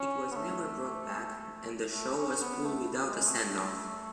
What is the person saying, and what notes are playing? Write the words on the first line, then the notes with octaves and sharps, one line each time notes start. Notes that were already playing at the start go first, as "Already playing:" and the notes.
It was never brought back, and the show was pulled without a send-off.
Already playing: C#4
B3
A3
A3
C#4
B3
A3
G#3
A3
A3